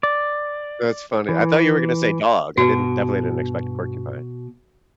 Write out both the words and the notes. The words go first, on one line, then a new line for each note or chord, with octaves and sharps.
That's funny, I thought you were gonna say, dog, I didn't definitely didn't expect, porcupine.
D5
E3
G2 B2 B3 F#4 B4